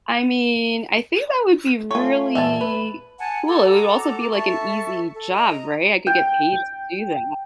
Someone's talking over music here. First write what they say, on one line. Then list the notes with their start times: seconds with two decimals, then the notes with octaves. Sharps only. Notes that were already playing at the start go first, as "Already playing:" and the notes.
I mean, I think that would be really cool. It would also be, like, an easy job, right? I could get paid to do that.
1.91 A3 F4 C#5 G#5
2.35 E2 A#2 E5 G#5 A5
2.61 B4
3.19 F#5 G#5 A5
3.48 F#4 A4 A#5 D6
4.33 A4 E5 A5 C#6
5.15 A4
5.33 D#5 A#5
6.07 G5